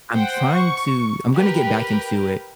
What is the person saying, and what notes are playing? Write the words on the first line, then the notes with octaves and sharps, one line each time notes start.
I'm trying to I'm gonna get back into it,
C5 F#5 G5
C#6
G4 A#4 B4